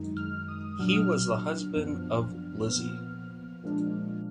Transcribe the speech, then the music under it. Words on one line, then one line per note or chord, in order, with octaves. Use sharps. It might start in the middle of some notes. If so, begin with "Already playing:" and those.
He was the husband of Lizzie.
Already playing: F#2 D#3 G#3 D#4
F6
D#6
A#2 F#3 D4 F6
D#6
F6
F#2 F3 B3 D4
A#2 F3 B3 F6
A#2 F3 G#3 D4